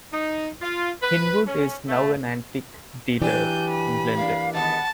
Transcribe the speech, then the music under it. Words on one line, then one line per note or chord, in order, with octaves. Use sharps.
Hinwood is now an antiques dealer in London.
D#4
F4
B4
C#4
A3
E3 F#3 D4 G4 G#5 G6
B5
A#3 D4 F5
D#3 G#3 B3 F#5 A5